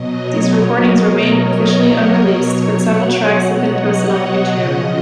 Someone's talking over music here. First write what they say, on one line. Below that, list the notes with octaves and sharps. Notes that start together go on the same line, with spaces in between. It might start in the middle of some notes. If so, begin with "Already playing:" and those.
These recordings remain officially unreleased but several tracks have been posted on YouTube.
Already playing: B2 F#3 D#5
C#5
A#4
C#5
B2 F#3
F#5
D#5
C#3 F3 D#5